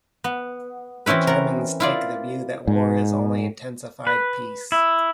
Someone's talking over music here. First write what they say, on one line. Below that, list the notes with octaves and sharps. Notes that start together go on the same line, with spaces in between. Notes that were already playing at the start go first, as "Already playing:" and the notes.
The Germans take the view that war is only intensified peace.
B3
E3 C4 C#4 E4 B4
A#4 F#5
E4 F4 D5
G#2
B4
E4